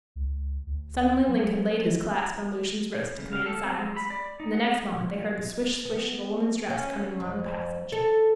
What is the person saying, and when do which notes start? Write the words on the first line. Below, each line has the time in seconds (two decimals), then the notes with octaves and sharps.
Suddenly Link had laid his clasp on Lucian's wrist to command silence, and the next moment they heard the swish-swish of a woman's dress coming along the passage.
0.16 C#2
0.66 D2
1.28 F#3
3.18 C#3
3.33 F5
3.46 A4
3.64 C4
3.77 G#3
3.96 B5
4.10 D5
4.40 D#4
4.54 F#5
5.85 B3
6.70 C#4
7.20 F2
7.92 A4